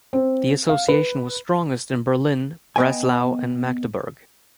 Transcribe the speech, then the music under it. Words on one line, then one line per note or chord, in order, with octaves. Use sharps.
The association was strongest in Berlin, Breslau, and Magdeburg.
C4
F5
B4
B3 D#5 E5 G5 G#5